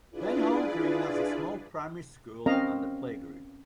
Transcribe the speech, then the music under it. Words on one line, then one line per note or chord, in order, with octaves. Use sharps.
Benhall Green has a small primary school and a playgroup.
D4 E4 F4 G#4 B4 D5
C4 C#4 A#4 D#5 F5 A#5